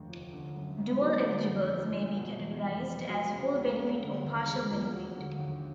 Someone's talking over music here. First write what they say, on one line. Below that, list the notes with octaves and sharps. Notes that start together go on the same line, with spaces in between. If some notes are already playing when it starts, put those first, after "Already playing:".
Dual-eligibles may be categorized as full-benefit or partial-benefit.
Already playing: F1 D#2 D3
F3
D3
F#2
G#1
F#3
D3
F2
G1
G1
B2
E2
F1
G3
F#3
C#3
C#2
A3
D3
D#2
E1
F3
F#3
D3
D#2